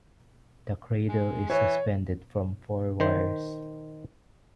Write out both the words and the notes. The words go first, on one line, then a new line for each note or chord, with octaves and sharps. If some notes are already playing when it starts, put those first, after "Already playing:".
The cradle is suspended from four wires.
G#3
E3 C#5
D#3 C5